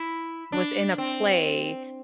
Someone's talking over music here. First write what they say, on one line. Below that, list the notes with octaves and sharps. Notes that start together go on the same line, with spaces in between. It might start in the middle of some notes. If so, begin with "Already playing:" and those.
was in a play,
Already playing: E4
D4
C4